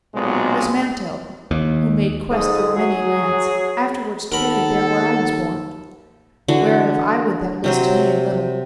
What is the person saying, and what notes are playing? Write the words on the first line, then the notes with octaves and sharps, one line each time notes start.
Was Manto, who made quest through many lands, Afterwards tarried there where I was born; Whereof I would thou list to me a little.
B1 A#2 G#3 B3 C4
D#2
F2 G#2 D3 D#6
F#3 G#4
D#2 A4 A#4 F#5 B5
D3 E3 F#4
C3 F#3 C5